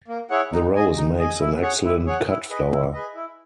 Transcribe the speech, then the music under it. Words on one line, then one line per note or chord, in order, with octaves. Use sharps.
The rose makes an excellent cut flower.
A#3
E4 G#4 C#5 F#5
D#4
G#4 D#5 G#5
D#4
G#4 D#5 G#5
E4
G#4 C#5 F#5
E4
G#4 C#5 F#5
E4
G#4 B4 D#5
E4
G#4 B4 D#5
E4